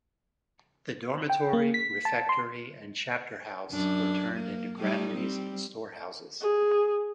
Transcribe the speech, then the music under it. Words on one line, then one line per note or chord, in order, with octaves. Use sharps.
The dormitory, refectory and chapter house were turned into granaries and storehouses.
G5
A#3
B6
A5
C6
F#2 D4
A#3
G3 A3 D#4
G3 C4
G#4